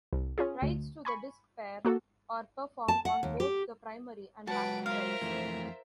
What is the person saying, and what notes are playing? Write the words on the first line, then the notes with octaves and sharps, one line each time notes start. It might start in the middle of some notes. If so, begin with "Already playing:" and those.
Writes to the disk pair are performed on both the primary and backup drives.
C2
C#4 F4 G#4
D2
G#5 B5 C#6
A#3 F#4 A4
A5
F#5
D#2
G4
F#3 G#3 F#4 B4 F#5 A5 D7
F4 A#4 C5 E5 F5
F2 E3 A3